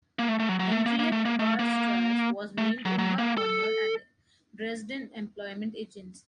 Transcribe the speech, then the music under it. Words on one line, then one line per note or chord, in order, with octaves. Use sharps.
Henriette-Heber-Strasse was named in her honor at the Dresden Employment Agency.
A#3
A3
A3
F#3
F#3
A3
A#3
A#3
A3
A#3
A3
A#3
A3
F#3
F#3
A#3
A4